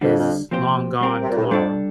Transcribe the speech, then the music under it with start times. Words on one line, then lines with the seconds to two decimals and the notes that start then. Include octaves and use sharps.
is long gone tomorrow.
0.01 F2 D3 G3 D4
0.18 F2
0.51 A#2 F3 C4 G4 C5
1.00 G3 C4 G4 A#4
1.22 C3
1.29 A#2
1.36 A2
1.44 G2
1.51 F2 G3 D4 A4 D5